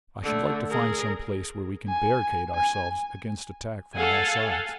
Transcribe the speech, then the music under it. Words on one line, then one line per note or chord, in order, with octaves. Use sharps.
I should like to find some place where we can barricade ourselves against attack from all sides.
D3 A3
G#4 A#4
G#5
G#5
A4 F5 F#5 G#5